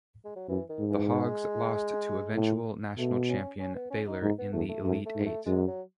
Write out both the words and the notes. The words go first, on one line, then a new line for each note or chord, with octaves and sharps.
The Hogs lost to eventual national champion Baylor in the Elite Eight.
G#3
F#3
F#2 E3
D#3
G#2
E3
G#3
A2
B2 A3
C#4
C#4
B3
C#4
D#4
G#2 D#4
B3
E2 A3
A3
F#2 A3
A3
G#2
A3
F#2 G#3
F#3